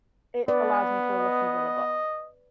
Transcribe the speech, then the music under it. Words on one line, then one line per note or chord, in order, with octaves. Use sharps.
it allows me to listen to the book
B3 B4 D5
D#5